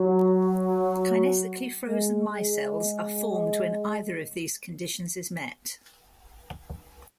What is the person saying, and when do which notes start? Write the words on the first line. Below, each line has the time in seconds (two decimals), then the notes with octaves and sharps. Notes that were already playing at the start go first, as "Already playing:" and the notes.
Kinetically frozen micelles are formed when either of these conditions is met.
Already playing: F#3
1.87 G#3
2.27 G#3